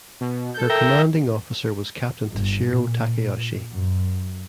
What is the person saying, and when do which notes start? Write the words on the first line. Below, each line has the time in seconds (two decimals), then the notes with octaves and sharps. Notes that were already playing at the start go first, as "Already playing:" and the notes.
Her commanding officer was Captain Tashiro Takayoshi.
0.21 B2
0.54 A4 G6
0.70 A#4 E5 G5
2.31 G1
2.66 A#2
3.70 F#2